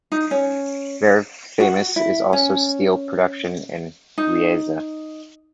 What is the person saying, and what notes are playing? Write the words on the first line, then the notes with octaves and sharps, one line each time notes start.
Very famous is also the steel production in Riesa.
D#4
C#4
F#4
E4
C#4
D#4